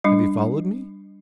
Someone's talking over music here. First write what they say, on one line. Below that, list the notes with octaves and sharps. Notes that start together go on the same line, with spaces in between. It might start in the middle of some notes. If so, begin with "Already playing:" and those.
Have you followed me?
G3 D4